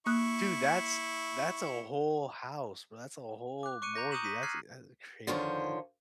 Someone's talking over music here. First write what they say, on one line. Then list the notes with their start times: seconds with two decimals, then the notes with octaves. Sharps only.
Dude, that's that's a whole house, bro that's a whole mortgage that's, eh that's crazy, man.
0.06 A#3 E4 C#6 D#6 F#6
3.63 D6 F#6
3.82 C#6 D6 F#6 C#7 D#7
3.95 A#5 G6 A#6
4.11 C#6 D#6 G6 D#7 E7 F#7
4.24 A#6 B6 D#7
4.43 F6 F#6 G#6 C7
5.27 D3 D#3 F3 C5 C#5